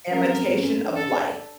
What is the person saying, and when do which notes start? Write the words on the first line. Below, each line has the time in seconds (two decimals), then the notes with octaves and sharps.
Imitation of Life.
0.10 C#4 A#4
0.21 C4
0.32 F#3
0.43 B3
0.53 C#4
0.63 C#4
0.74 C#4
0.85 D4
0.96 A4